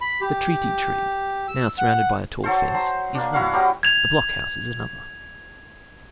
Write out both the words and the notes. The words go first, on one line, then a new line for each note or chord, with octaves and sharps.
The Treaty Tree, now surrounded by a tall fence, is one, the block-house is another.
B5
G4
E6
F#5
F#3 A4 C5
A#5 C6
A#3 D4
E4 F#4 F5 F#5
F#3 G3 G4 A#5
G#6 F7